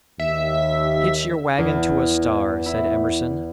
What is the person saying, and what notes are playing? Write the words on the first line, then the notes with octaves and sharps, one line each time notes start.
"Hitch your wagon to a star," said Emerson.
D#2 E5
E2
E4